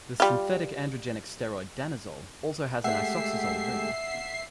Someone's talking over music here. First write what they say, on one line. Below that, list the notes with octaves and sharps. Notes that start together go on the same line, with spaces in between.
The synthetic androgenic steroid danazol also has an isoxazole ring.
G3 F4
G#3 A3 G4 E5 F#5 C7